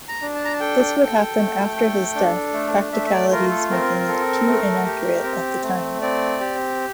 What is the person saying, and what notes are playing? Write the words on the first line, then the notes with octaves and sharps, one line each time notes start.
This would happen after his death, practicalities making it too inaccurate at the time.
A#5
D4
A5
A#5
A5
A4 G5
A4
A3
A4
D4
A3
A3 E5
E5
D5
F4 A#4
A4
C4 A#4
A4
A3
G4
C4
A3
C4 D5
G4